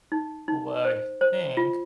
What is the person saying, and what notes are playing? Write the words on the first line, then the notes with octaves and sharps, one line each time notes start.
what I think,
D#4
D#4
C5
C5
F4